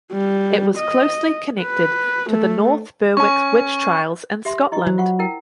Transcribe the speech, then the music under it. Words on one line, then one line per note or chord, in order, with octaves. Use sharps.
It was closely connected to the North Berwick witch trials in Scotland.
G3
D#5
B4
A3
C#4 G#5 C#6
G4 E5 C6
E4 D#5 C#6
F#3 C5
F4 F#5 C#6
E4 A#4 G5